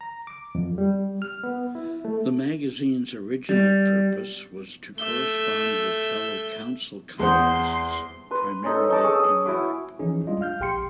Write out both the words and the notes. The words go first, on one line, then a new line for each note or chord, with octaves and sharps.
The magazine's original purpose was to correspond with fellow council communists, primarily in Europe.
A#5
D6
F2
G3
F6
B3
E4
A3
G3
A3 E5 G6
E2 G#4 C5 F#5 C6
B4 C6
C#4 D#4 A4
D#4 C#5 A5 D6
G#4 C#6 E6
D#6
E4 F#4 D6
E3 F3 C#4 D#4 G#4
G3 G#3 D4 F4 D#5
F5 F6 G6
A#1 G4 G5 C6 C#7